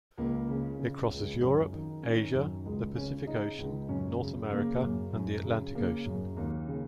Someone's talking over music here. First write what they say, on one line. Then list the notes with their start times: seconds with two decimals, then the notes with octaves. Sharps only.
It crosses Europe, Asia, the Pacific Ocean, North America, and the Atlantic Ocean.
0.18 C#2 A#3
0.49 C#3
0.79 C#3
1.11 C#2
1.41 F#2 C#4
1.73 D#3
2.03 D#3 C#4
2.34 F#2
2.66 C#2 G#3
2.96 C#3 C#4
3.27 C#3 D#4
3.59 C#2
3.89 F#2 C#4
4.20 C#3
4.51 C#3 A#3
4.82 F#2
5.13 F#2
5.44 C#3
5.75 C#3 A#3
6.05 F#2
6.36 D#2 A#3
6.68 C#3